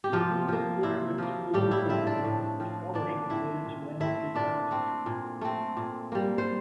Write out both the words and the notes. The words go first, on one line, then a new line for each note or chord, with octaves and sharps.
The "Elisabeth Blair MacDougall Book Award" is for scholarship related to landscape architecture.
G4
C3 F3 F4
F3 A#3
C3 E4
F3 A#3
A2 G3 G4
E4 E5
F3 C4 E4 E5
D4 D5
A2
F3 C4
A#2 D4 D5
A3 C4 E4 E5
A#2
A3 C4 E4 E5
A#2 D4 D5
A3 C4
A#2
A3 C4
A#2
G3 A#3
C5